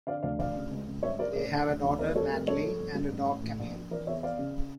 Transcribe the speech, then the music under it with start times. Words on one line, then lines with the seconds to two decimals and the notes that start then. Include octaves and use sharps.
They have a daughter, Natalie, and a dog, Camille.
0.07 D3 D5 F5
0.23 D2 D5 F5
0.39 D2 D5 F5
0.55 C#3
0.71 C#2
0.88 C#2
1.03 G2 C#5 E5
1.19 G3 A#4 D5
1.35 A1 A#4 D5
1.51 D3
1.68 D2
1.83 D2
1.99 E2 A#4 D5
2.15 G3 A4 C#5
2.31 F1 A#4
2.47 G2 A4 C#5
2.64 F3
2.79 G1
2.95 G2
3.11 A1
3.27 A1
3.43 A2
3.59 A#1
3.75 A#1
3.91 E3 A#4 D5
4.07 E2 C#5 E5
4.23 E2 D5 F5
4.39 C#3